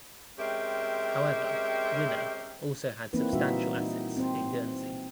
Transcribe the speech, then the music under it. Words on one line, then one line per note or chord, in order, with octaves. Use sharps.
However, Winner also had substantial assets in Guernsey.
G#3 C4 C#4 G4 A#4 E5
E3 A#3 C4 D#4 B4
A#2 E3 G3 D#4 F#4 E5
D#4
C4 C5